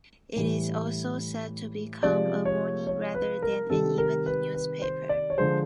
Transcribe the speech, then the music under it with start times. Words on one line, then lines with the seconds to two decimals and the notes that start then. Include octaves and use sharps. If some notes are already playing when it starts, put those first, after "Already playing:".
It is also set to become a morning rather than an evening newspaper.
0.36 A2 E3 G3
2.03 C3 F3 G#3 D5
2.45 C#5
2.87 C#5
3.14 B4
3.42 A#4
3.70 C3 D#3 G3 A4
3.98 A#4
4.26 B4
4.54 B4
4.82 C5
5.09 D5
5.30 C#5
5.37 D3 F3 G#3 C5